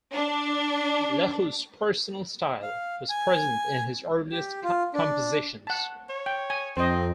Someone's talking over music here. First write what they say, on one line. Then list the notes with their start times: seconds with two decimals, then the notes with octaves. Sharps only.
Lekeu's personal style was present in his earliest compositions.
0.12 D4
2.62 F5
3.09 G#5
4.32 G4
4.63 F4
4.94 D4
5.67 F#5 A5
6.09 C#5
6.26 G5
6.50 G#5
6.77 F2 C4 C5 D#5